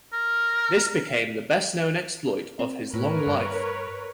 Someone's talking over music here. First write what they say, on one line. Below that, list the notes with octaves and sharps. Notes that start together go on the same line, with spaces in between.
This became the best-known exploit of his long life.
A#4
C4
A2 A#4 B4 C#5
G2